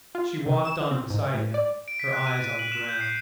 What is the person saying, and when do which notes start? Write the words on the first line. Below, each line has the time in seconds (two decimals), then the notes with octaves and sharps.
She walked on beside him, her eyes on the ground.
0.15 F4
0.46 C3
0.65 E7
0.91 C4
1.10 G#2
1.34 A2
1.54 D5
1.88 D7
1.99 B6
2.13 F#6
2.27 D#7
2.39 D#7
2.59 F#7
2.72 E7
2.89 G6
3.01 C7